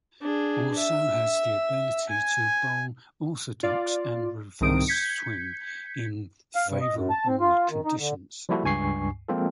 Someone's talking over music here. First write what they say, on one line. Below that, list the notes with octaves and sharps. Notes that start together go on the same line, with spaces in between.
Also has the ability to bowl orthodox and reverse swing in favourable conditions.
D4 G#4
E5
G#5
F4 D5
C2 G#2 D#3 C4 D#6 D7
G6 G#6 B6 C#7
F5
G2
D#5
F#2
A5
C4
F4
D#3
D#4
D3
F3 G3 A#3 E4 F#4 A4
C#2 G2 G#5 C#6 C7
F3 G#3 A#3 C4 F4 A4